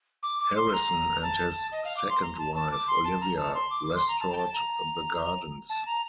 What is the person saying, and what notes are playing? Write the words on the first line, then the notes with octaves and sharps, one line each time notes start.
Harrison and his second wife Olivia restored the gardens.
D6
D6
C6
A#5
A5
D#5
F5
D6
C6
A#5
A5
A5
D6
C6
A5
A#5
A5
C6
D6
D6
C6
A#5
A5
G5
A5
A#5
A5
A#5